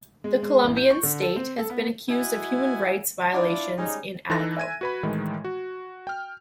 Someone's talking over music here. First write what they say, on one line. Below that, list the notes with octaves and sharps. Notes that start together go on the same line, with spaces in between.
The Colombian state has been accused of human rights violations in Ataco.
G#3
G#3
A1
G6
C#6
D3
A4
C4
A4
B3
E4 F#4 D#5 E5 F#5 G#5
D4 E4 F4 D5
G3 G#3 C#4 D#4
E3 D#4 A4 F#6 A#6
E5 G#5 G#6 D#7
F#4 B4 B5
A2 D#3 E3 G#3
F#4
G5 F6